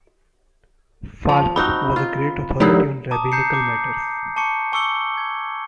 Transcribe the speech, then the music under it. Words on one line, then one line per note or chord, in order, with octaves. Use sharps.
Falk was a great authority on rabbinical matters.
F3 A5
C4 D#4 F#4 B5
F4
D3 D#3 F3 E4 G4
A5 A#5 D6 D#6
A#5 G6 C7 C#7
D6
A5 C#6 D6 C#7
G#5 C#6 D6 E6 C#7 G7
G#6